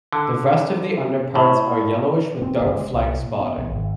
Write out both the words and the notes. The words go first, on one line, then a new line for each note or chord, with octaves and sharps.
The rest of the underparts are yellowish with dark flank spotting.
D3
A2
C4
G1
G#3
C2
A#2
B3
A#1
G#1